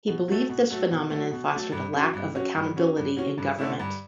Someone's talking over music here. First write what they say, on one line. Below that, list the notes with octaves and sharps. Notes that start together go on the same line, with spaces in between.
He believed this phenomenon fostered a lack of accountability in government.
B2
F#3 A3
B2
F#3 A3
B2
F#3 A3
B2
F#3 A3
G2
F#3 C#4
G2
F#3 C#4
G2
F#3 C#4
G2
F#3 C#4
G2
D3 A3 C#4 E4
G2